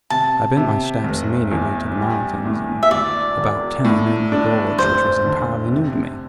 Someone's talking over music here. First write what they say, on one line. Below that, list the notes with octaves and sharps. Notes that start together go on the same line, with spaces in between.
I bent my steps immediately to the mountains, and, about ten, entered a gorge which was entirely new to me.
C3 A5
C3
F1
E2
G3
A2
E5
D2 D5
E1
A2
D4
F1 C5
D3
C3